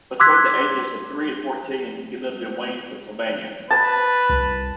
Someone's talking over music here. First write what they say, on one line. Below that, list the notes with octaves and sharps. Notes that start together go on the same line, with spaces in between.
Between the ages of three and fourteen, he lived in Wayne, Pennsylvania.
C6 D6 E6 F#6 G#6 B6
B4 A5
C2